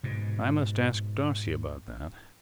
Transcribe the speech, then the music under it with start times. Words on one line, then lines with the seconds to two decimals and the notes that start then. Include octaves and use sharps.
I must ask Darcy about that.
0.04 G#2 B2